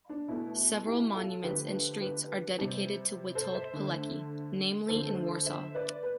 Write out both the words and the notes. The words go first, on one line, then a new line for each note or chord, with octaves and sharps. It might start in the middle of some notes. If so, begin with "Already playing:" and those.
Several monuments and streets are dedicated to Witold Pilecki, namely in Warsaw.
D4
B2 A3 E4
E4 G4
F4 A4
D3 F3 A3 G4 B4
G4 B4
C3 G3
A4 C5
C5 E5
D3 A3
D3 F3 A3 A4 C5
A4 C5
A4 C5
C5 E5
B4 D5
B4